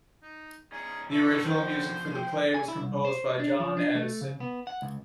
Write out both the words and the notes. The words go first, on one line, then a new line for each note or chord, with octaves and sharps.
The original music for the play was composed by John Addison.
D#4
C#4 D#4 G#4
E3 A4 C#5
F3 C4 F#4 C5
C#4 G5
G#5
E4
C2
C5
D4
F3
D4
A3
C#3
B3
F#5
C#2